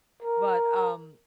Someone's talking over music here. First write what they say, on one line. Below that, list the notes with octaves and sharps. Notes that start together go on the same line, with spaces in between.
but, um,
A#4